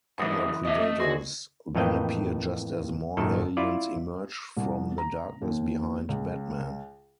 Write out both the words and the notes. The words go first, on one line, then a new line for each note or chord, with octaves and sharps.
Other Predators then appear just as more Aliens emerge from the darkness behind Batman.
C2 F#2 E3 D#6
B2 D#5 E5
A3
D3 F#4 G#4 C6
F2 A2 E3 A#3 D#5 G5
G#1 F#2 A#2 D#3 A4
E4 F4 D5
C2
A#5
D#2
C#2